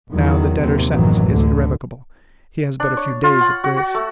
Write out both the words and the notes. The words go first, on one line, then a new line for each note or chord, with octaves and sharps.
Now, the debtor's sentence is irrevocable: he has but a few days of grace.
E2 D#3 F#3
D#2 C3
A1 F#2 D#3 E3 F#3
D2 D3
D4
C#5
F4
F#5
F#4
F#4
A3